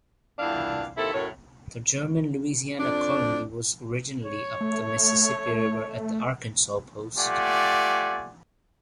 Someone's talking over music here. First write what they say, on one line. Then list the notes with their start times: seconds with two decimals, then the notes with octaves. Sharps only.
The German Louisiana colony was originally up the Mississippi River at the Arkansas Post.
0.39 E2 G2 A#2 D4 E4 F5
0.97 D#2 A#3 C4 E4 A4
1.13 F#2 A2 A#4 C#5
2.79 F2 D4
4.25 C#5
4.61 A3
7.17 A3 F4 G4 D5 F#5 G#5